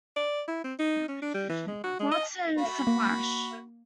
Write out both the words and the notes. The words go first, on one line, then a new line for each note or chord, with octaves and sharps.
Quartz and Sflash.
D5
E4
C4
D#4
C#4
D4
G3
E3
G#3
F#4
G#3
D#5
F#4 B5
A#3